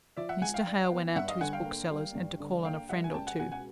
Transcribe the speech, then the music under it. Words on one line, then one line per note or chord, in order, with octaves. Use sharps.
Mr. Hale went out to his bookseller's, and to call on a friend or two.
F3 D5 E5
E5 F#5
G#3 F#5 G#5
F5 G5
D4
B3
G2 E5 F#5
D#5 F5
D3 F#5 G#5
F5 G5
A#3
G3
G2
D3
A#3 F5 G5
G3 E5 F#5
G#5
C#2 G5 A5
F#5 G#5
B2 F#5 G#5
F#5 G#5